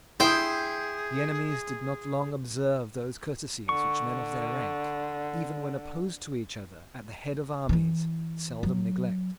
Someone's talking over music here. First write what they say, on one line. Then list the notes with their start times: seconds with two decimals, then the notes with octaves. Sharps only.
The enemies did not long observe those courtesies which men of their rank, even when opposed to each other at the head of armies, seldom neglect.
0.20 E4 G#4 C5 G5 D#6
3.69 D3 C#6
7.69 E3 E4
8.63 F#3